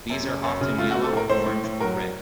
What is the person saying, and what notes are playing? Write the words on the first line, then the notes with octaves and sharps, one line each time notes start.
These are often yellow, orange or red.
F#2
C#3
F#2
C#3
A3 F4
F#4
A3
A4
A2 A#4
A2 C5
A2
A2
F#3 A#4